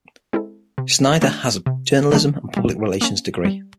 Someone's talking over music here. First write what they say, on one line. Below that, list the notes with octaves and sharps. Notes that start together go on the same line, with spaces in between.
Snyder has a journalism and public relations degree.
G#3 C4 E4 A4
C3
D#3 F#3 A3 D4
C3
D#3 F#3 A3 D4
G3
A#3 C#4
G3